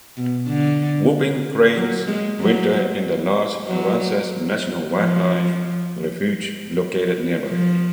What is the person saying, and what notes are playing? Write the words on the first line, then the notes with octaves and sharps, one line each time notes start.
Whooping cranes winter in the large Aransas National Wildlife Refuge located nearby.
B2
D3
F#3
G#3
F#3
F#3
F3
F3